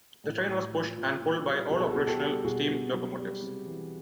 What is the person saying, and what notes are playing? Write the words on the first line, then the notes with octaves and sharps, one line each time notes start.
The train was pushed and pulled by all operational steam locomotives.
A2
A2
F3
A#2
A#2
G3
B2 G#4
A4
B2 F#4 G#4
G4 A4
G3
B2 F#4 G#4
B2
F#3
G3
C3
E3